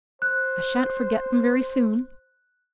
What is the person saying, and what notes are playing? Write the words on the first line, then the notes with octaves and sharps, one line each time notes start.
I shan't forget them very soon.
C5 F#6